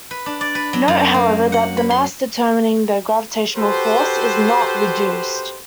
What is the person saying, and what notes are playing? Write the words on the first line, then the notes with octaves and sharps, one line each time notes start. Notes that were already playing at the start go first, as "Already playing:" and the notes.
Note, however, that the mass determining the gravitational force is "not" reduced.
B4
D4
D5
B4
F#3
F#2
A#3
F#5
B5
C6
F#4 G4 A4 B4 C5